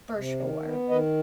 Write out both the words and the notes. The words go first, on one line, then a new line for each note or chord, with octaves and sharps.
For sure.
C3
D#3
B3
D#3 B4 D#5